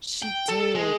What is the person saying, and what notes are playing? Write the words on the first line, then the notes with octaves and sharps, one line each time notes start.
she did,
G5
A4
G#3